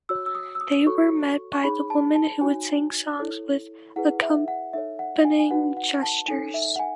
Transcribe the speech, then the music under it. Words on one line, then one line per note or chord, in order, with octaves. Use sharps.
They were met by the women who would sing songs with accompanying gestures.
F#4 C#5 E6
E6
D#6
E6
D#6
F#4 A4 C#5 C#6
C#6
D#4 G#4 C#5 B5
A5
A5
D#4 F#4 C#5 G#5
E4 A4 C#5
E4 G#4 B4 F#5
E5
F#5
D#4 A4 C#5 E5
F#5
G#5
G#5
D#4 F#4 B4 F#5
F#5
A5
D#4 A4 C#5 G#5
E5
F#5
G#5